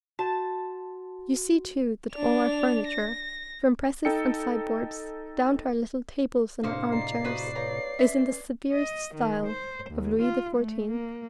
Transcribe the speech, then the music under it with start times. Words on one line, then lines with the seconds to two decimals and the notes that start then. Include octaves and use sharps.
You see too that all our furniture, from presses and sideboards, down to our little tables and our arm-chairs, is in the severest style of Louis the Fourteenth.
0.19 F#4 A5
2.12 D4 F7
2.87 A#6
4.05 D#4 A4 G5 C#7
6.63 A2 C3 A#3 D4 C5 F5 C6 C#7
6.93 D5 D#5 F5 A#5 C7
7.24 F#4 B4 C5
7.55 B4 C#5 F5 A#5
7.99 C#4 B4 E5
8.72 D#5
9.15 D#3
9.46 C5
9.91 D#2
10.21 F4
10.57 A3
10.91 A#3